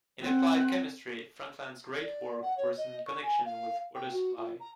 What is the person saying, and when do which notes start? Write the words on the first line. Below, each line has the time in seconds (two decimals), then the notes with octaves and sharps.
In applied chemistry Frankland's great work was in connection with water-supply.
0.21 C4 F#5
2.02 D5
2.42 F#5
2.57 C#5
2.77 D#5
3.06 C#6
3.23 G#5
3.45 F5
3.95 G5
4.11 F#4
4.35 F4
4.60 A#5